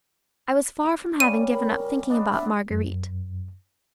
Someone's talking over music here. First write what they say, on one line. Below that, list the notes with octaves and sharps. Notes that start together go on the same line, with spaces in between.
I was far from having given up thinking about Marguerite.
D6
C#3 G3 D5 D#7
A#4 B5
B3 D4 D#5
E5
F#2